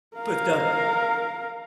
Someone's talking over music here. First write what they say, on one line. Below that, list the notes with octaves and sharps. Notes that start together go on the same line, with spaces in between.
But, um
A#4 F5